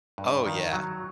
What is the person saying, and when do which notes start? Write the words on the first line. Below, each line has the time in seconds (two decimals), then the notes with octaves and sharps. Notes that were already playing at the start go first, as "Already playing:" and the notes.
Oh, yeah.
0.18 G2
0.46 D#3
0.73 F#3